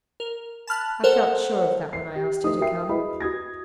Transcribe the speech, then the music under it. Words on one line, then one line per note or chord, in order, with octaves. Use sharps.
I felt sure of that when I asked her to come.
A#4
A5 B5 F6 F#6
A4 A#4 C5 F#5
C7
G4
A3 D#4 G4 D#6
F#4 A#4 E5 G5 C7
E4 F#4 G#4 B4 D#5 B5
F#4 D#6 G#6 A#6